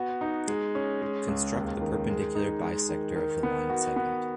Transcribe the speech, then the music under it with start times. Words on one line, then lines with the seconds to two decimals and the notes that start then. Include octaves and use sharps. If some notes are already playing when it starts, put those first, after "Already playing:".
Construct the perpendicular bisector of the line segment.
Already playing: B3 F#4
0.21 D#4
0.48 G#3
0.75 C#4
1.02 G#3
1.28 C#2
1.56 D#2
1.82 D#3
2.09 G#3
2.35 D#4
2.62 G#3
2.89 D#3
3.16 D#3
3.43 B3
3.70 F#4
3.96 B3